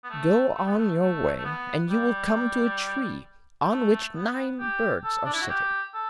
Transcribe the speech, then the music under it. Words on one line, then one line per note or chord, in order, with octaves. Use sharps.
Go on your way, and you will come to a tree, on which nine birds are sitting.
B3
A3
A3
B3
A3
A3
A3
B3
G3
G3
A3
B3
G4
A4
D4
E4
F#4
G4
A4